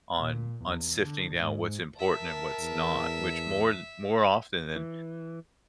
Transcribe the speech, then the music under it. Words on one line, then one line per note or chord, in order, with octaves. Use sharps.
on on sifting down what's important and what's not, which more th more often than,
A#2
E2
D3
G#2
A#4 E5 A5
E2
E3